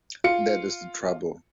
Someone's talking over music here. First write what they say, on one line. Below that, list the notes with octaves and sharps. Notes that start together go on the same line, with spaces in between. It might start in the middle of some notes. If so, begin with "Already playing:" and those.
That is the trouble.
F4 C#7